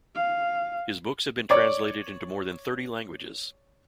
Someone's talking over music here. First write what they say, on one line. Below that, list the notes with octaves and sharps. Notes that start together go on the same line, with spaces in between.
His books have been translated into more than thirty languages.
F5
C#5 D5